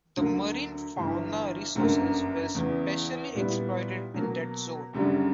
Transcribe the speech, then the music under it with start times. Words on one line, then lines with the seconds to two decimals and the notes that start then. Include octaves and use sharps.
The marine fauna resources were specially exploited in that zone.
0.17 D2 D3 F#3 A#3
0.96 G1 G2 E3
1.75 G1 F#2 D3 A#3
2.55 E2 C#3 E3
3.35 A#2 G3 B3 E4
4.14 B2 F#3 A#3
4.93 F#1 F#2 D3 G3 C#4